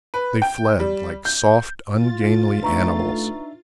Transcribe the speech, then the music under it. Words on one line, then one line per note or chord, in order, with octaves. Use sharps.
They fled like soft, ungainly animals.
B4
G5
G3
G6
F4 A6
A3 D4 D#4 B4 E5 A#5 C#6